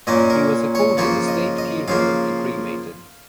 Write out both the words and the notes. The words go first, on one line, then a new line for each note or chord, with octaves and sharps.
He was accorded a State funeral and cremated.
A#2 A#3 C#4 D#5
A#4
C#5
C#3 F3 A#3 C#5
D#5
D#5
C#3 F3 A#3 F5